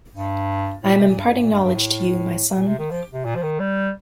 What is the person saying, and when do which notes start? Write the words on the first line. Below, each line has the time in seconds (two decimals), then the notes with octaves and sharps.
I am imparting knowledge to you my son.
0.13 G2
0.83 A2
0.92 A#2
1.00 C3
1.09 A#2
1.18 G2
1.27 F2
1.35 G2
1.43 A#2
1.52 G2
1.64 G2
1.75 A2
2.56 A#2
2.67 C3
2.79 D#3
2.91 F3
3.13 C3
3.25 A#2
3.36 F3
3.43 D#3
3.60 G3